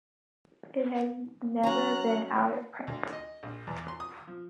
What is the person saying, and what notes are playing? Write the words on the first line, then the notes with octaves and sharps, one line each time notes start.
It has never been out of print.
F#3 C#4 A#5 F#6
D2
D#5
A#1
E2
C6
D#6
F3